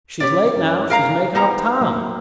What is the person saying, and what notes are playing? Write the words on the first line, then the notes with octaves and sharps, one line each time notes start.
"She's late now, she's makin' up tahm!"
C#4 G4 C#5 D5
F#2 C#4
G#4 A#4 F5 A#5
B3 D#4 C5 A#5
F#3 A#3 E5